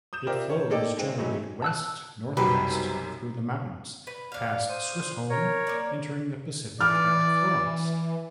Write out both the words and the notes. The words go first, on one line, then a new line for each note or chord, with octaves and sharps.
It flows generally west-northwest through the mountains, past Swisshome, entering the Pacific at Florence.
D#6 G6 E7
F4 G4 A#4 C5 D5 E5
C#5
A#3 D#4 A4 D5 G5 A5
G#3 C4
E3 F#3 A3 C#4 D#4
A5 E6 F#6
B1 F#2 C3 G3 F#4 G4 B4
B4
D4 F5
C5 D#6
A#4 C#5
A#3 D5
E3 D5 F6